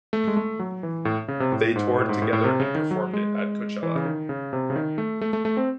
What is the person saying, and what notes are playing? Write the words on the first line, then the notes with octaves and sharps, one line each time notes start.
They toured together and performed it at Coachella.
A3
G#3
A3
F#3
E3
A2
C#3
C3
A2
G#2
A2
G#2
A2
A2
C3
C#3
D#3
F#3
G#3
E3
C#3
D#3
C#3
C3
C#3
D#3
A3
A3
A3
A3
C4